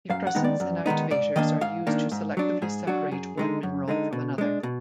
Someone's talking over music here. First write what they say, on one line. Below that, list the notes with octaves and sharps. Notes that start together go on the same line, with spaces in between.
Depressants and activators are used to selectively separate one mineral from another.
F#2 F5
F#5
D#3 G#3 B3 D#4
D5
F#2
D#3 G#3 B3 D#4
G#2 D5
D#3 A#3 D4 D#5
G#2 F5
D#3 A#3 D4
G#2
F#3 D4
G#2 G#4
F#3 D4 F#4
F#2 G#4
D3 G#3 D#4
F#2
D3 G#3 D#4
B2
G#3 D4
B2